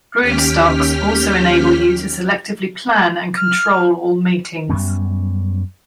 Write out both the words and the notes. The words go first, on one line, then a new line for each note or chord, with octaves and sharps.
Broodstocks also enable you to selectively plan and control all matings.
D#2 C#4 G4 G5 F6 B6
F6
F#2 G3 B3 C#4